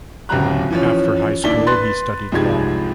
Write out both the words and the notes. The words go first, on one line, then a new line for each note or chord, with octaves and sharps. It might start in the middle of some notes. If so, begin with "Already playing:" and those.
After high school he studied law.
D1 C#2 F#3 G4 A#5 F#6
E3 F3 C#4
D#2 A#3 D4 E4 B6 G7
B4 C6 F#6 A6
C2 G#2 F3 G#3 G4 G#6